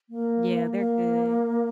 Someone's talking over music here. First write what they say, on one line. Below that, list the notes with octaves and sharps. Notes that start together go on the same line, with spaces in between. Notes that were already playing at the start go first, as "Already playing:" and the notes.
Yeah, they're good.
A#3
A#3